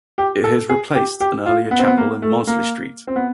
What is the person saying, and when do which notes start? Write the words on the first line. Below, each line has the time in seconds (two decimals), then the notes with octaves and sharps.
It has replaced an earlier chapel in Mosley Street.
0.18 G4
0.44 A4
0.69 G#4
0.95 G4
1.20 G4
1.46 F4
1.71 B3
1.79 C4
1.87 B3
1.97 A#3
2.22 A3
2.47 A#3
3.07 C4
3.16 B3